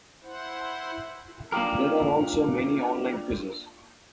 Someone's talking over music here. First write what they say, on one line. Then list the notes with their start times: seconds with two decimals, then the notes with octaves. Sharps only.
There are also many online quizzes.
0.23 E4 C5 F#5
1.52 A#3 D4 F4 G4 A#4